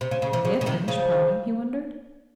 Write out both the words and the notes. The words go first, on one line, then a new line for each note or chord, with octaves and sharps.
"Can they have finished ploughing?" he wondered.
C3
C#3
C#3
C3
C#3
C#3
C3 D#3
C#3 F3